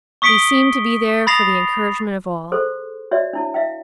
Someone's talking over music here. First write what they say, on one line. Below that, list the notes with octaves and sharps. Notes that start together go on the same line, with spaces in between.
He seemed to be there for the encouragement of all.
C#6 D#6 B6 C#7 D7 G7
B5 D#6 A6 A#6 C7 F7
G#4 A4 C5 C6
F#4 C#5 D5 E5
D4 E4 A5
E5 F5 G5